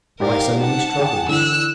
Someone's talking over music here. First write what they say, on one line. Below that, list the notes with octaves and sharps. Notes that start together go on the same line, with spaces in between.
Why so many struggles?
G#2 G4 A#4 D5 F5
F#5 A5
G#4 G5
D3 E3 E6 F#6